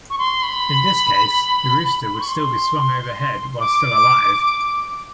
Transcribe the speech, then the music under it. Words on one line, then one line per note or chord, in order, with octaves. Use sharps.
In this case, the rooster would be swung overhead while still alive.
C#6
C6
B5
C6
C#6
C6
D6